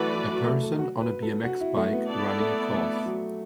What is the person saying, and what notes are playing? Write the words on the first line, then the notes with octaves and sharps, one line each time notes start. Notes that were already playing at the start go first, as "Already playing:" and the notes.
A person on a bmx bike, running a course.
Already playing: E3 F#3 A3 F#4 B4 D5
E3
F#3
A3
A4
F#4
B4
A4
F#4
E4
A3
B3
B3 E4 A4 D5
A3
A3
F#3